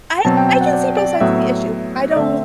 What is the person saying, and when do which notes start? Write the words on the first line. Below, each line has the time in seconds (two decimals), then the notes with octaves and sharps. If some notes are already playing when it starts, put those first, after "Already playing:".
I I can see both sides of the issue. I don't
0.25 B2 F#3 C4 A5
0.37 G5
0.49 G5
0.61 F#5
0.73 D5
0.97 D5
1.20 A2 F#3 B3 E5
2.11 D5
2.16 D3 A3 C4 E5